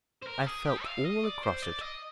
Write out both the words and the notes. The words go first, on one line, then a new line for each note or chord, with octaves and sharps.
I felt all across it.
C5
A#4
G4
G#4
G4
F5
D#5
D5
C5
D5
D#5